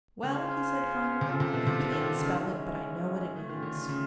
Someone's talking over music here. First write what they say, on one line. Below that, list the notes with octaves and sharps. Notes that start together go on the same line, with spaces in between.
'Well,' he said finally, 'I can't spell it but I know what it means.'
C#3 C#4 F4 G#4 C5
C3
C#3 F4 A4 C5 E5
C3
B2
C3
D3
D#3
D3
C#3
D#3 G#3 C#4 E4
E3 A3 C#4 F4
D#3
D3
C#3
C#3